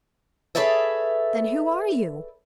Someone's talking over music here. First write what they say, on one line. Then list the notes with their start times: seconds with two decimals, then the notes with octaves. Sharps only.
"Then who are you?"
0.55 G#4 A4 B4 C#5 D5 E5